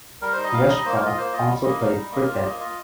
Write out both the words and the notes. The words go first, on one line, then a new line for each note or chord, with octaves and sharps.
Westcott also played cricket.
G3 A#4
D#4 C5
D#5
G3 F5
D#4 D#5
A#3 C5
A#4
F4 D#5
A#3 C5
F4 D#5
G3
A#3 D#5
D#4 F5
G3
A#3 D#5
A#4
F4 G4
A#3 D#5
F4 D#5